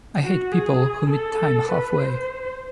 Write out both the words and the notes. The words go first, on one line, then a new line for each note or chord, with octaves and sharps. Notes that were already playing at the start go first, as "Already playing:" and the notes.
I hate people who meet time halfway.
F#4
G#4
A4
B4
C5